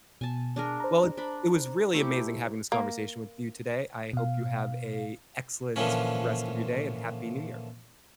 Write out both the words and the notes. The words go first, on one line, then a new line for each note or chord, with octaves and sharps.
Well, it it was really amazing having this conversation with you today. I hope you have a excellent rest of your day, and happy New Year.
B2 G#5 A5
D4 G#4 A#4
C5 A#5
D4 B5
A3 E4 G4
A#3
B2 F5
A#2 D3 E3 F3 C#4